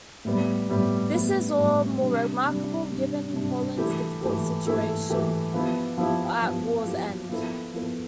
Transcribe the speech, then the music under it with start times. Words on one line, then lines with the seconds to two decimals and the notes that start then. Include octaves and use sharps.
This is all the more remarkable, given Poland's difficult situaltion at war's end.
0.25 A2 G3 B3
0.69 A2 G3 B3
1.13 A2 G3 B3
1.57 A2 G3 B3
2.01 C3 G3 D4
2.45 C3 G3 D4
2.90 C3 G3 D4
3.33 C3 G3 D4
3.77 E3 A3 E4 G4
4.21 E3 A3 E4 G4
4.66 E3 A3 E4 G4
5.10 E3 A3 E4 G4
5.53 F3 B3 E4 G4
5.98 F3 B3 E4 G4
6.42 F3 B3 E4 G4
6.86 F3 B3 E4 G4
7.29 F3 B3 E4 A4
7.73 F3 B3 E4 A4